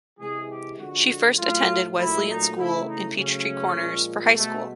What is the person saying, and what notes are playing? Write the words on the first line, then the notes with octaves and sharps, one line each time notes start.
She first attended Wesleyan School in Peachtree Corners for high school.
C3 E3 G#3 G#4
G4
D3 F3 G#3 F#4
A2 F#3 A3 F4
A#2 F#3 A3 E4
D#4
C#3 E3 A3 E4
D#4
C#3 F#3 A3 C#4
A#2 F3 G#3
B2 G#3 A3